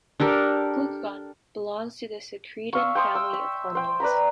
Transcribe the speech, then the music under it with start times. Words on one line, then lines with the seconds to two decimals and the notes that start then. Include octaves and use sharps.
Glucagon belongs to the secritin family of hormones.
0.20 D4 G4 A4 A#4
2.73 E5 F5 C#6
2.95 G5 C6 C#6 D#6
3.15 E6
3.33 E5
3.75 C5 G5
4.00 B4 D5 A#5 B5